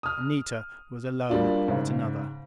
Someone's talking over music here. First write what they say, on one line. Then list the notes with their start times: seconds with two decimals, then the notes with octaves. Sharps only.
Anita was alone at another.
0.03 D#6 F6
1.30 G3 A#3 D4 F4
1.68 G#2 C#3